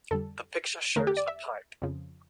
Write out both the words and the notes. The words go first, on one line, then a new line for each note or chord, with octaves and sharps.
The picture shows a pipe.
F2 D3 G3 A4
E2 D3 A3 A#4
G4
D5
E5
F2 C#3 F3